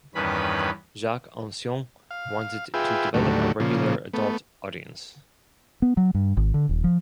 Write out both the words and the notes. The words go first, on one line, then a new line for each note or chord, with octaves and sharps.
Jacques Ancion wanted to develop a regular adult audience.
E2 G2 D#3 C#4 B4 B5
F5
F4 G#4 B4 E5 G5
D#2 A2 D3 F#3 G3 A3
A#2 C#3 F3
A3 B3
B3
F#3
G2
G#1
D3
D#1
F3